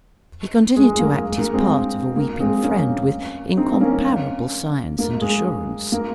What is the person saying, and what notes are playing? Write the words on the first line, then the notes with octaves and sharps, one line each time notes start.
He continued to act his part of a weeping friend with incomparable science and assurance.
G#3
G#3
A#3
G#3
A#3
G#3 C4
A#3
G#3 C4
A#3 C#4
C4 D#4
C4
A#3 C#4
A#3
G#3
A#3